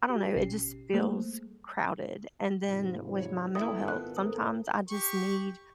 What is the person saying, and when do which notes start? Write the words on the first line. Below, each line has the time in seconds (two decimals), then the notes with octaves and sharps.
I don't know. It just feels crowded, and then with my mental health, sometimes I just need
0.09 F#4 G4
0.36 A1 B2 C#4 G4 C7
0.94 G3 A3 A#3 G#4 A4 C5
2.65 G#2 C3 F3 G3
3.19 C#5
3.55 G#1 A3 B3 E4 A4 E5 G5 D#6
3.88 A#2 F#6
4.17 A#4 C5 D#6
4.90 G4 C#6